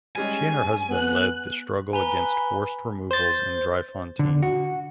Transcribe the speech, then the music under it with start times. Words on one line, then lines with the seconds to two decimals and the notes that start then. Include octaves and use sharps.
She and her husband led the struggle against forced removals in Driefontein.
0.16 G3 G#3 C#4 G#5
0.90 B3 F#6
1.93 B4 G#5 A#5 G7
3.11 C5 G6 A6
4.19 D3
4.43 F#4